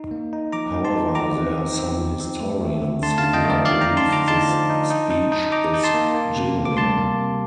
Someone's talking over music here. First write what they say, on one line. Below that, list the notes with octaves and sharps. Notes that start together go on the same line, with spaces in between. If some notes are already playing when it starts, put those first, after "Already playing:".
However, there are some historians who do not believe this speech is genuine.
Already playing: D#4
A#3
D#4
F3 A#5 D6
D#4
A5 C6
D#4
F3 A#5 D6
C4
C4
C4
F3
C4
A3
A3
D3
D3 A5 C6
F5 A5
D4
D#5 G5
A3
A#4 D5
F3 D5 F5
G5 A#5
D#4
A5 C6
D3
A#5 D6
D#4 A5 C6
F3
D#4
D#4
D#4
D#4
D#4 A#5 D6
D#4
A5 C6
A#3
A#3
C3
C3
D6
G3 A5 C6
A#3
C3